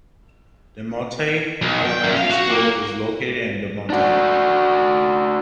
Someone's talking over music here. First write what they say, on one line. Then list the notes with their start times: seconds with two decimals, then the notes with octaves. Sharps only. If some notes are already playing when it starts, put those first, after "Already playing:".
DeMotte Elementary School is located in DeMotte.
1.62 B1
1.85 G5
2.04 F#2
2.17 F5
2.30 F#4
2.51 A#3
3.90 D4 F#4